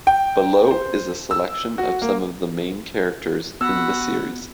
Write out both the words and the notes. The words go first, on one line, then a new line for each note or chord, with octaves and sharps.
Below is a selection of some of the main characters in the series.
G5
C5
E6
F#4
A#3
B3 F#4 F#5 B5 E6